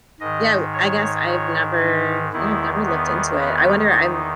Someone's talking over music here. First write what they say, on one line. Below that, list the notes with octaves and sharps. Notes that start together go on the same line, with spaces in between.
yeah, w I guess I've never yeah, I've never looked into it, I wonder I'm
G#2 D#3 D#5
C#5
C#5
D#4
E2 D#3 E4
B3
B3
D#4